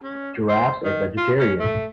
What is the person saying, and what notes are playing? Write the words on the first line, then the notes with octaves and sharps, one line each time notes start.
Giraffes are vegetarians.
C#4
C5
D#3
F4
C#4
A3